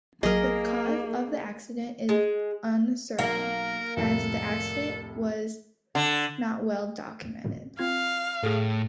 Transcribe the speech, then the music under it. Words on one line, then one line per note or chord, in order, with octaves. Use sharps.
The cause of the accident is uncertain as the accident was not well documented.
A#1 F#3 A#3 G#4 A#4 D#5
G#3
B1 A#3 A#4
C2 F2 A2 A4
D3
C4 F4 F5 G#6
A2 G#4 A4